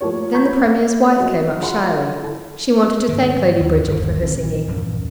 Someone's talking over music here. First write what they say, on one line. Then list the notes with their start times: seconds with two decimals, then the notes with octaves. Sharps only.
Then the Premier's wife came up shyly; she wanted to thank Lady Bridget for her singing.
0.01 F3 A3 A#3 G4 A#4 C#5
0.32 A#5 B5 C#6 G6 G#6 B6
0.64 E5
1.18 F#3 G#3 C4 E5
1.61 F4 F#4 G#4 F#5 B5 C6
2.23 E4 A4
3.09 G#2 D#3
3.60 D#2
3.87 G1 D#2
4.22 A#1 D#3 F#3 C4
4.67 A#1 E2 G2 C#4